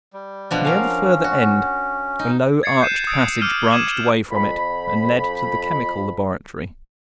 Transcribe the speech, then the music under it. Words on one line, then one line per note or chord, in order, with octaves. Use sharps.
Near the further end a low arched passage branched away from it and led to the chemical laboratory.
G3
B2 F3 D4
C#4 A#4 F5
F#4
D#4
G#6 A6 C7 C#7
F#6 G6 C7 D#7 E7
D#6 E6 G#6 A6 D7
D6 E6 F6 G6 D#7
D6 E6 G#6 D#7 E7 F#7
F2 B5